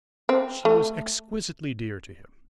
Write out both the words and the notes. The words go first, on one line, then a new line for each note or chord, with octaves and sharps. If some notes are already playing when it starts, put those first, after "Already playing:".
She was exquisitely dear to him.
C4
A3